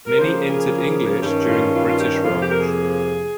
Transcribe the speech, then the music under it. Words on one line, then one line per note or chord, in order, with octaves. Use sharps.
Many entered English during the British Raj.
A#4
C#3 F3 A#3 C5
G#4
G2 D#3 G3 C#4 G4
F4
F4
F4
G4
F2 C3 F3 A#3 F4
G4
A#4
G#4